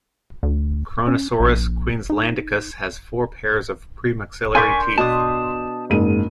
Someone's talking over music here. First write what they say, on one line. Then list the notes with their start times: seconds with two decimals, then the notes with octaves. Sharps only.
"Kronosaurus queenslandicus" has four pairs of premaxillary teeth.
0.43 D2
1.08 C#4
1.40 A#1
2.10 D#4
4.55 D4 A#4 D5 G#5 C6 C#6 G6 B6
4.98 B2 D4 A5 D#6
5.90 F#1 G#2 D#7